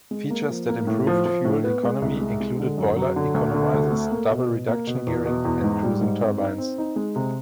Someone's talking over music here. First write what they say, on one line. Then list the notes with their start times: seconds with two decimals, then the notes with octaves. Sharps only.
Features that improved fuel economy included boiler economizers, double reduction gearing, and cruising turbines.
0.11 G#3
0.30 A#3
0.50 F3
0.69 A#3
0.87 A2
1.07 F3
1.25 F3
1.44 A2
1.64 B3
1.83 G#3
2.02 C2
2.21 G#3
2.40 G#3
2.59 D3
2.78 F#2
2.97 F#3
3.16 D3
3.34 D2
3.54 D3
3.74 D2
3.92 A3
4.11 A#3
4.31 B2
4.49 B2
4.68 A#3
4.87 B2
5.07 E2
5.25 B2
5.45 E2
5.64 G#2
5.83 G3
6.01 G#2
6.20 C4
6.40 D#4
6.58 C4
6.78 D#4
6.96 G#3
7.16 C3